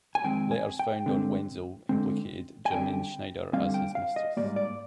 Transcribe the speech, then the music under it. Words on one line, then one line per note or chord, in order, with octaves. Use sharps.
Letters found on Wenzel implicated Germaine Schneider as his mistress.
G#5
F2 D#3 G#3 C4 G5
G#5
G5
D3 G#3 C4
D3 G#3 C4
G#5
D3 G3 C4 G5
D3 G3 C4 F5
G5
F5
D#5
G#2 D#3 G3 A#3 D5
D5